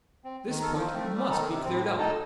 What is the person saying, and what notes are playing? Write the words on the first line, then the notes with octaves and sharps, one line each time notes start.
This point must be cleared up.
C4
D#3
D#4 A4
F3
A3 C4
G3
D#3 D#4 A4
C3
A2 C4
A2 D#4 A4